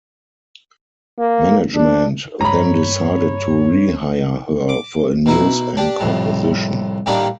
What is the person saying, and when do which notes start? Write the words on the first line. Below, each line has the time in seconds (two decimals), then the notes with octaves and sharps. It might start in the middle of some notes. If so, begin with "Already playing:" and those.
Management then decided to rehire her for a news anchor position.
1.19 A#3
1.75 D4
2.41 G2 C#5 A#5 B5
4.69 D6
5.26 B2 D#4 E4
5.77 D4 G4
6.00 C2 F2 A2
7.06 A2 D#3 G3 A#3 D4 D#4